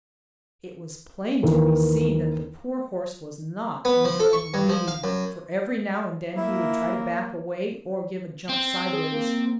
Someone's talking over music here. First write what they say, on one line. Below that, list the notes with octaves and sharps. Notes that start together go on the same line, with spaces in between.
It was plain to be seen that the poor horse was not enjoying the meeting, for every now and then he would try to back away, or give a jump sideways.
D#2 E3 A#3
B3
F3
A4
C#6
G2
F3
F5
F#2
A#3 E4
C4 C5
G#4
A#3